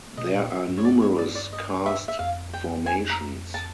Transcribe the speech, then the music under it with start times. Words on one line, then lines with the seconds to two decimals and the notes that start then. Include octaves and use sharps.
There are numerous karst formations.
0.17 B2 D#5
0.34 A#2
0.51 E5
0.68 G2
0.77 C#5
0.85 D5
1.02 C#5
1.18 D5
1.35 D5
1.53 D#5
1.86 E5
2.08 E5
2.19 F2 F5
2.53 G5
2.86 G#5
3.10 A#5
3.54 A5